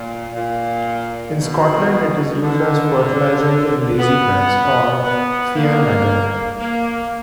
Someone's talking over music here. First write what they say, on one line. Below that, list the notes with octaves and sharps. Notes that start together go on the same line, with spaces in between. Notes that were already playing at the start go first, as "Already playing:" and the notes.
In Scotland, it is used as fertiliser in lazybeds or "feannagan".
Already playing: A#2
A#2
B2
D3
B3
B3
A#3
A#3